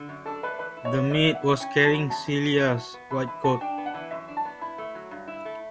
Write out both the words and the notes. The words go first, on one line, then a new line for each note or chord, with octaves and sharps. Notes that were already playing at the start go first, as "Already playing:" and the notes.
The maid was carrying Celia's white coat.
Already playing: D3
F#2
D4 A4
A3 B4
E3 B4
E4
C#5
B3
E3 D5
E3 E5
F#5
E4
C#4 G5
F#3
A5
C#3
E2 A5
C#4
F#3
E3
F#4
B3
E3 B5
E3 B5
F#4 A5
D4 G5
B3
F#5
E3
F#2 E5
D4
A5
B3
E4 B5
A3
F#3
G2
E4
A3